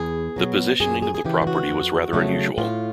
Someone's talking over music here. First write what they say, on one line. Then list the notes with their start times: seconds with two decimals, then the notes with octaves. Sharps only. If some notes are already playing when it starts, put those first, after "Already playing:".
The positioning of the property was rather unusual.
Already playing: E2 G#4
0.36 B2 F#3
0.80 F#2 G#4
1.02 G#4
1.15 G#4
1.25 C#3 E3 G4
1.42 G4
1.47 F#4
1.69 F2
2.13 C#3 F#3 A3
2.58 A2 F4